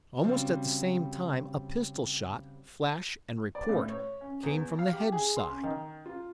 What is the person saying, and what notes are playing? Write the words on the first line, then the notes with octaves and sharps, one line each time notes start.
Almost at the same time a pistol-shot, flash and report, came from the hedge side.
C#3 G3 C4 F#4
D5
A2
C#5
C#4
E2
F5
G4
G#4
C6
C#4
D#3
F4